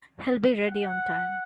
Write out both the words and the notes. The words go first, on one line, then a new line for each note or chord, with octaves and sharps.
He'll be ready on time.
F#5